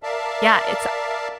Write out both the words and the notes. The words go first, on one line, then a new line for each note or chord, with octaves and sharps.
yeah, it's
A#4 D5 E5 F5 A5